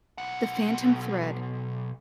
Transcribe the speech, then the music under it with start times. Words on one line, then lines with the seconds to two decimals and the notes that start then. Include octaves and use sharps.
The Phantom Thread.
0.18 B1 F#5